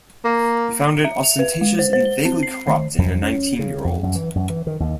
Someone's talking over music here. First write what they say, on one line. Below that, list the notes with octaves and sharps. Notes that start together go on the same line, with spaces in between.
He found it ostentatious and vaguely corrupt in a nineteen-year-old...
A#3
E5
F7
B4
G#3
C5
C5
G7
C4
C7
D#3
F2
C#4
C#3
F2
F#2
E3
F#2
E3
D#3
D#2